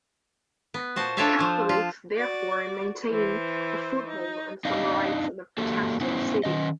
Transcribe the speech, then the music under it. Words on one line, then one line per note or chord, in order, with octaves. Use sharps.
Catholics therefore maintained a foothold and some rights in the Protestant city.
B3
A#2 F#4 C5 A5
D4 F4 A4 C#5 E5 F5
F3 C5
F4
F#4 D5
E3 C5
D#4
C4 D4 D#4 D#5 F5
A#3 F#4 G4 A4
B3 C#4 E4 C5 C#5
D#3 C#4 D#5